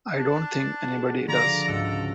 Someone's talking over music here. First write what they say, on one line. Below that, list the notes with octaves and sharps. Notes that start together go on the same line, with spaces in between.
I don't think anybody does.
D4 A5
F#4 G#4
D3 F3 D5 A#5
C#2 G#2 F#4 A4